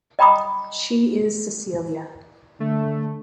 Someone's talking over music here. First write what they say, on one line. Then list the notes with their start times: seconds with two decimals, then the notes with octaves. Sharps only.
She is Cecilia.
0.19 D#5 G5 A#5 B5 D6 D#6
2.60 D3 A3